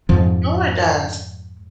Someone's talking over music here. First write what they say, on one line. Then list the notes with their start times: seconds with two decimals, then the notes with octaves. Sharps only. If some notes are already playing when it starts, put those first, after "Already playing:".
No. It does.
0.09 F2 G#2 F3